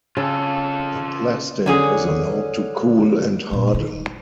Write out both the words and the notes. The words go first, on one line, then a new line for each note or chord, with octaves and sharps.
The plastic is allowed to cool and harden.
C#3 F4 A4
D3 C#4 G#4
F1 A#2
D#4